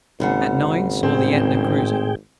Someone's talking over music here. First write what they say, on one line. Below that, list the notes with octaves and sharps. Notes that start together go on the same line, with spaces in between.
At nine saw the AEtna cruising.
G#1 D#2 C#3 F#5
A2 C4 G#4 G5